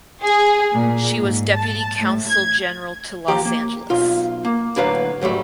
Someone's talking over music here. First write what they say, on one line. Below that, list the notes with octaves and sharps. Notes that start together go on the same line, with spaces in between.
She was deputy consul general to Los Angeles.
G#4
A#2
G#2
A5
A2
G#6
D#2 F3 G4 A#5
A#3
B1 F4
A#3
A2 D3 F#3 B4 F5 A#5
G#2 F#3 G3 A3